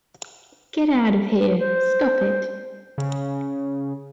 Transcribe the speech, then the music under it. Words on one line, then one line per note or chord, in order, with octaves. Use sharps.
Get out of here! Stop it!
C5
C#3